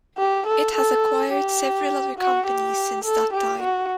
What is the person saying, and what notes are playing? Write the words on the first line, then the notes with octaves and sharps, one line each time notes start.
It has acquired several other companies since that time.
G4
A4
A4
G4
F#4
G4
A4
G4
F#4